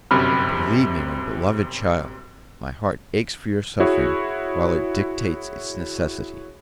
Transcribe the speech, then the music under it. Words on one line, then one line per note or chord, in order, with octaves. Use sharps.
Believe me, my beloved child, my heart aches for your suffering, while it dictates its necessity.
G1 F#2 C3 B5 F6
E4 F#4 G#4 C#5